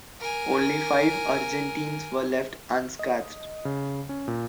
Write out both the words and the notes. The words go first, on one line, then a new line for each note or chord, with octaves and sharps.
Only five Argentines were left unscathed.
A#4 G#5
D#5
C#3
C#4
A#2